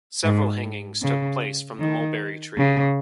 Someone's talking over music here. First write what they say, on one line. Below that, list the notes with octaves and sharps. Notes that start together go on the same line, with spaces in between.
Several hangings took place from the mulberry tree.
G#2
C#3
D#3
C#3